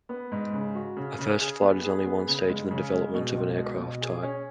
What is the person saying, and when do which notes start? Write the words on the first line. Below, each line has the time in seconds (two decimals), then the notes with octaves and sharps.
A first flight is only one stage in the development of an aircraft type.
0.09 B3
0.32 G#2
0.53 C#3
0.75 F#4
0.97 C#3
1.19 C#3
1.40 G#4
1.62 B3
1.84 G#4
2.05 B3
2.27 C#3
2.49 G#3
2.71 C#3
2.93 G#3
3.14 B2
3.36 C#2
3.58 B2
3.80 B2
4.01 G#4
4.23 C#4